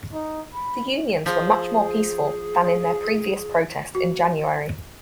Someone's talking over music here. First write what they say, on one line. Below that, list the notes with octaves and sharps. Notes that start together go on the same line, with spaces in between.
The unions were much more peaceful than in their previous protest in January.
D#4
B5
F3 G#4
F#4